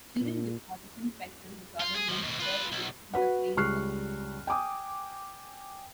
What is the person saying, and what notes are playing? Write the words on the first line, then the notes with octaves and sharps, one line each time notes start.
Children with autism spectrum disorders learn to surf with the assistance of trained surfers.
A#2
F4
G#4
D#2 F3
D#2 B2
F4 B4
B1
F#4 B4 F#5
C#2 G3 C#6 F6 F#6 C7
G5 G#5 D6 D#6